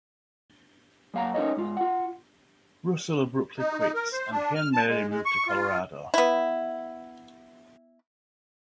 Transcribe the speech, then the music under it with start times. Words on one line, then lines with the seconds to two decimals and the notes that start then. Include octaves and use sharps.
Russell abruptly quits and he and Mary move to Colorado.
1.14 F#2 A#3 F5 F#5 A#5
1.34 C#4 D#4 A#4 B4 C#5 D#5
1.57 G#2 F4
1.77 F4 F#5
3.59 D#4
3.79 D#4
3.94 A#4
4.12 C5
4.31 D4
4.55 F6
4.73 A5
4.89 G#3
5.10 G#3
5.25 C#6
5.47 F4
6.14 B3 E4